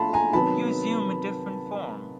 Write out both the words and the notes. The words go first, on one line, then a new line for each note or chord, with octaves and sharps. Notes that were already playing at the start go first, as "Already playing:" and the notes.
You assume a different form.
Already playing: F3 A3 D4 F5 A5 B5 C6
G#5 A#5
C3 D#3 F#3 B3 A5 B5